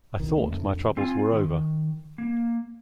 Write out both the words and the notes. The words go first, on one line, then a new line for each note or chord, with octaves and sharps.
I thought my troubles were over.
B1 D#3
D1 D#2 A3
F2 D3
C4 F4 G#5
D#3
A#3